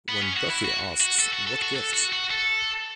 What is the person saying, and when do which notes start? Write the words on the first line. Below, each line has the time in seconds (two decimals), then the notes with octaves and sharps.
When Buffy asks What gift?
0.08 B3
0.21 C#4
0.36 F#4
0.50 E4
0.64 F#4
1.00 F#4
1.19 A4
1.33 F#4
1.47 A4
1.62 F#4
1.76 A4
1.93 F#4
2.13 F#4
2.31 A4